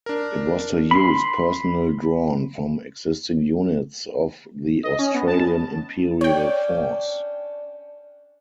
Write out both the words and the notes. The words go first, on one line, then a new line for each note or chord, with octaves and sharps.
It was to use personnel drawn from existing units of the Australian Imperial Force.
D4 A#4
B5 C6
D#5
C#4
B3
A5
C#4 D4 C#5 G5